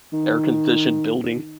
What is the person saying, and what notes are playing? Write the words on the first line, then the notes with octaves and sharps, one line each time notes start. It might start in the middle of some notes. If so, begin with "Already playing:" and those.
air conditioned building.
D#3